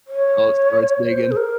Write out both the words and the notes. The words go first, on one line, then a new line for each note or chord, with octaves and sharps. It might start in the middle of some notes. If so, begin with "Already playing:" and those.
Oh, starts digging.
C#5
C5
G#4
A#4